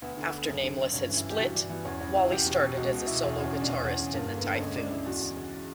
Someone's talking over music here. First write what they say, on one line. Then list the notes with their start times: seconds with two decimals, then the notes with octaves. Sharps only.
After Nameless had split, Walli started as a solo guitarist in The Typhoons.
0.02 D2 B3
0.17 D3
0.32 D3
0.47 F#2
0.63 D3
0.78 D3
0.93 G2 C#4
1.09 E3
1.17 E4
1.24 E3
1.30 G4
1.39 G2 F#4
1.54 E3 D4
1.70 E3 B3
1.85 E2 C#4
2.01 E2 C#4
2.15 C#3 E4
2.31 E2 G4
2.46 B2
2.61 B2
2.77 C#2 F#4
2.92 B2 F#4
3.07 B2 E4
3.23 E2 E4
3.38 E2 C#4
3.53 C#3 C#4
3.61 D4
3.68 E2 C#4
3.84 E2
3.99 C#3
4.14 G2 A#3
4.30 D3
4.38 B3
4.44 D3
4.60 C#2 C#4
4.75 C#2 D4
4.90 C#3 E4
5.06 E2 F#4
5.21 E2
5.36 C#3